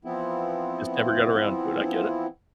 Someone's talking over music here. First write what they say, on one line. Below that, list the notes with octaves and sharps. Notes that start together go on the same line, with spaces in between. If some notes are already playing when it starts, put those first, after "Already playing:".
Just never got around to it, I get it.
E3 F3 B3 C4 E4